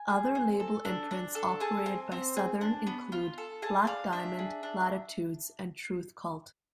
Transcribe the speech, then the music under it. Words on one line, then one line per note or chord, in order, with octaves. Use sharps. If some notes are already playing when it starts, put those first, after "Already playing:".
Other label imprints operated by Southern include Black Diamond, Latitudes and Truth Cult.
Already playing: G#5
G#4
C4
A4
D4
D4
A4
G#4 A5
C4
C4
G#4
D4
B3
F4
A4
G#4 A5
D4 F5
D4 E5
G#4
D4